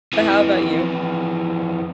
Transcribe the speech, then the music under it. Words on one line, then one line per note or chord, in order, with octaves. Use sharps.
But how about you?
F2 E3